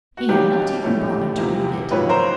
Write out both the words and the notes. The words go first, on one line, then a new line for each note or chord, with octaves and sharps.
He had not even bothered to read it.
F#4
B1 B2 G3 A#3 C#4 G4
A#1 A2 F3 A3 C#4
E2 C3 F3 A#3
G#1 F#2 C#3 F3 A#3 B4 C#5
A#4 C5